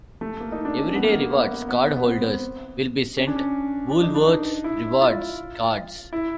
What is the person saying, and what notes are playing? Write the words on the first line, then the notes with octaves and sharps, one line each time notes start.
Everyday Rewards cardholders will be sent 'Woolworths Rewards' cards.
A3
A#3
D#4
D4
C#4
B3
A#3
B3
B3
B3
B3
C4
C#4
D4
C#4
D4
D#4
D4
D#4
E4
F4
E4